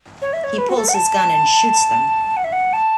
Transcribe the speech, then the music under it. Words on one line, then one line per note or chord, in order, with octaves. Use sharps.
He pulls his gun and shoots them.
C#5
E5
C#5
B4
F#4
A4
F#5
A5
F#5
E5
F#5
A5